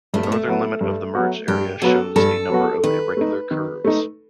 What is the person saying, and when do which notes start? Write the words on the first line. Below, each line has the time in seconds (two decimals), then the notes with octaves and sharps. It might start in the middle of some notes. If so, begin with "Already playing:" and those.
The northern limit of the merged area shows a number of irregular curves.
0.14 G2 A3
0.23 B3
0.32 A3
0.48 F#3 B3 F#4
0.81 G2
1.15 F#3 B3 F#4
1.48 G2 G4
1.82 F#3 B3 F#4 A4
2.16 G2 A4
2.50 F#3 B3 F#4
2.84 D#3 B4
3.17 A3 D#4
3.51 D#3
3.85 A3 D#4